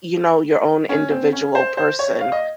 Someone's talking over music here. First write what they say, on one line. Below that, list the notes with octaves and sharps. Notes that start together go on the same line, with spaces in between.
you know, your own individual person
C#4
C4
C#4
C5
C5
C#5
F5
D#5